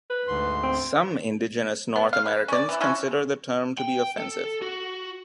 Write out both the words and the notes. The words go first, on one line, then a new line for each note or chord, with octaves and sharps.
Some indigenous North Americans consider the term to be offensive.
B4
D2 G#2 C6
C4
B3
F5
B4
C#4 D5
E3 E4
F3 C#4 E4 F#4
G5
A4
F#4